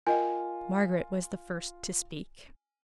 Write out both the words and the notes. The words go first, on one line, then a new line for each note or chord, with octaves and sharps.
Margaret was the first to speak.
F4 A#4 D#5 G5 G#5